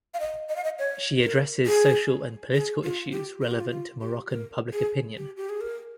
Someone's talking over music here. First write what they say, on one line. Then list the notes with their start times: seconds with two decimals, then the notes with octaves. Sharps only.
She addresses social and political issues relevant to Moroccan public opinion.
0.14 F5
0.20 D#5
0.49 D#5
0.56 F5
0.64 D#5
0.79 C#5
1.23 A#4
1.66 G#4
2.55 G#4
2.84 F4
3.12 G4
3.42 F4
3.51 G4
3.60 F4
3.71 F4
4.01 G4
4.30 A#4
4.73 G#4
5.17 G4
5.37 G4
5.49 G#4
5.61 A#4